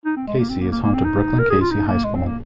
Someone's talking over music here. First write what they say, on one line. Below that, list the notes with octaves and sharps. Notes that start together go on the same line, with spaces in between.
Cayce is home to Brookland-Cayce High School.
D#4
C4
G#3
A#3
C4
A#3
A#3
A#3
C4
D#4
A#4
G#4
F4
D#4
A#3
G#3
C4
A#3